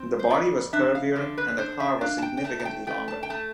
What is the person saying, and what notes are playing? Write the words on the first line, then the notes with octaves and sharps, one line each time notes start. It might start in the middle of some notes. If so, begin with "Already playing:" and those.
The body was curvier and the car was significantly longer.
Already playing: C4
C5
F2 D5
D4 E5
F5
D3 A4
B4
D4 C5
E5
D4 F5
A5
G5
G5
A3 A5
A5
G5
A3 G5
A5
G5
A3 A5